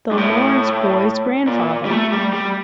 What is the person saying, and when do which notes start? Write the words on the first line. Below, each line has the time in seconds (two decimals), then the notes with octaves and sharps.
The Laurence boy's grandfather!
0.11 G2
0.18 A2
1.47 A#2
1.85 G3
1.91 A3
2.12 G3
2.33 G3